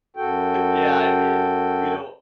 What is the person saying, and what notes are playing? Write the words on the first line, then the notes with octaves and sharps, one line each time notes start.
yeah, I mean, we don't
F#2 F#4 A4 G5